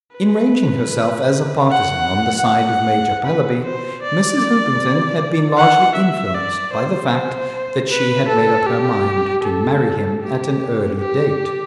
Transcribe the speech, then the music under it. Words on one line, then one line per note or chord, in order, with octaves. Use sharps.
In ranging herself as a partisan on the side of Major Pallaby Mrs. Hoopington had been largely influenced by the fact that she had made up her mind to marry him at an early date.
B4
F#5
F#5
B4
C5
D5
F#5
E5
D5
C5
C5
B4
A4
G4
A4
G4
G4